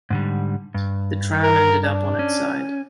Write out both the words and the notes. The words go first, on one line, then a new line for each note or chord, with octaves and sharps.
The tram ended up on its side.
G#2 D3 G3
G2
A#4
D4
C#4